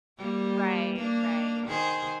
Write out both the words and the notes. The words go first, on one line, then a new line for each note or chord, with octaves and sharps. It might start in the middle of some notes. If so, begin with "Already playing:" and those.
right. Right.
G3 A#3
A#3 D4
D#3 G#4 C5